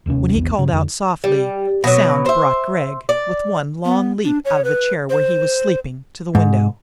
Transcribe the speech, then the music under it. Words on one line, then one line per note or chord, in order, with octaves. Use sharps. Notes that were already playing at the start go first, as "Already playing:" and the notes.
When he called out softly, the sound brought Gregg, with one long leap out of the chair where he was sleeping, to the window.
E1 D#2 C3 C#4
A#1 E2 D#3 B3
G2 C#3
F2 D3
G3
B2 F#3
C5 E5
D5
B3
D4
C#5
B4
C5
G#2